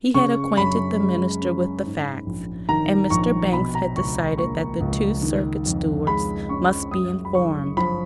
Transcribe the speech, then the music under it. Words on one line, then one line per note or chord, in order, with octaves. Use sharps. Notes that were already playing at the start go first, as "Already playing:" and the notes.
He had acquainted the minister with the facts, and Mr. Banks had decided that the two circuit stewards must be informed.
C#3 C#6
F#2 B5
G#3
C#4
G#2
A#1
D#3 A#5
A#1 C#6
B2 B5
A#5
C#2 C#6
A#3 C#6
C#2
D#3
F2
G#3 B5
C#4 C#6
F#2 D#6
B5
F#1 C#6
F3 B5